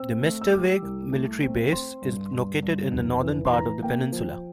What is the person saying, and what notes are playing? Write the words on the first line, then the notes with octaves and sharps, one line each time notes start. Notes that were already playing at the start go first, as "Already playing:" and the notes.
The Mestersvig military base is located in the northern part of the peninsula.
Already playing: C4 E6
A3
E6
G3 D6
C2
A3
C4
C4 C6
G2
G2
G2
F1
E3
C6
E3 A#5
A#3 G5
F3